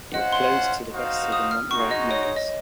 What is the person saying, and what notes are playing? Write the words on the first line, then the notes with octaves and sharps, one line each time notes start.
It flows to the west of the Mont Wright mines.
C#4 F4 C5 D#5 F#5
C6
D#4 F#4 C5 F5
D#6
F6
G#3 D#4 F#4 C#6
D#5
C#5
C#5
D#5